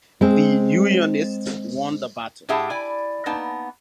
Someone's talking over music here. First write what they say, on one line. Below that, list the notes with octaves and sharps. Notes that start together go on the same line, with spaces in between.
The unionists won the battle.
G#3 C4
A2 G4 G#4 E5 F#5 A5
E4 D5 G#5
A#3 B3 D#4 A5